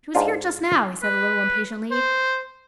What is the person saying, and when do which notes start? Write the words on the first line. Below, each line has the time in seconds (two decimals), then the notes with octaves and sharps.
"She was here just now," he said a little impatiently.
0.15 G#2 D4 F4
1.03 B4
1.91 C5